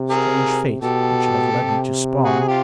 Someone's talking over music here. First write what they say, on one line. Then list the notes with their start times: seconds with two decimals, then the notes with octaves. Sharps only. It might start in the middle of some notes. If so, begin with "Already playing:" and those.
Strange fate that should have led me to Spawn!
Already playing: C3
0.11 G#4 A#4
0.82 B2 G4 A4
1.53 C3
2.24 F#4 G#4
2.40 G#4
2.48 F4 G4